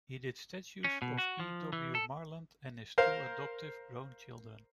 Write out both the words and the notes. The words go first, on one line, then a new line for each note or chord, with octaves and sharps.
He did statues of E. W. Marland and his two adoptive grown children.
C#4
B2
F#4
F3
E3
A4
A#4 C5 F5